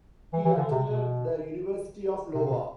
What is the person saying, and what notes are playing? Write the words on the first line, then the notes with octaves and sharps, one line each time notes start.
He attended the University of Iowa.
E3
E3
D3
C3
B2
C3
C3
B2